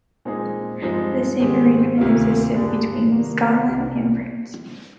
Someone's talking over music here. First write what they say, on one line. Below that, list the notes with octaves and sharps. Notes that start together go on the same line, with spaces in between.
The same arrangement existed between Scotland and France.
A#2 G#3 C4 D#4 G#4
G2 F3 G#3 C4 D#4
G#2 D#3 G#3 C4 G4
D2 C3 D#3 A#3 F4
G2 D3 G3 D4 G#4
C3 D#3 A#3
C2 C3 G3 D4